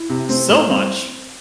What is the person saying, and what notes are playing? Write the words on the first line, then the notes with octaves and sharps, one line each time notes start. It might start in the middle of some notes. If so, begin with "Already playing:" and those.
so much
Already playing: E4
C3
A3 C4
A2
G3 C4